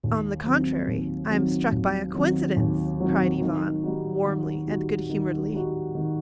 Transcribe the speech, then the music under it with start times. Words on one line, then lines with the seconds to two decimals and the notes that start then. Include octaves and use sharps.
"On the contrary, I am struck by a coincidence," cried Ivan, warmly and good-humoredly.
0.04 D#2
0.45 D#3 F#3 C4
0.87 D#2
1.30 D#3 F#3 C4
1.72 D#2
2.14 D#3 F#3 C4
2.56 D#2
2.99 D#3 F#3 C4
3.42 D#3
3.84 G3 D#4 F#4
4.25 D#3
4.68 G3 D#4 F#4
5.09 D#3
5.52 G3 D#4 F#4
5.95 D#3